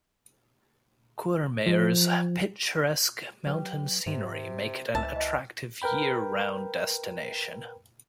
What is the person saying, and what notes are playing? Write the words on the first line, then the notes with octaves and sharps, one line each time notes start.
Courmayeur's picturesque mountain scenery make it an attractive year-round destination.
F3
F#3 G4 B4
G#2 C3
C#2 E3 C5 A5 E6
C#5 D#5
A#4 B4 G5 B5